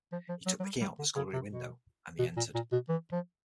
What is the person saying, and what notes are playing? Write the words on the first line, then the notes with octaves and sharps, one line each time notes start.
He took the key out of the scullery window, and they entered.
F3
F3
F#3
F#3
G3
G3
D3
C#3
C3
B2
B2
A#2
A#2
B2
E3
F3